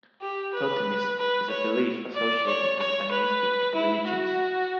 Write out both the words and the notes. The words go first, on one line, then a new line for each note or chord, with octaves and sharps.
Totemism is a belief associated with animistic religions.
G4
B4
B4
C#5
D5
C#5
C#5
B4
E4
F#4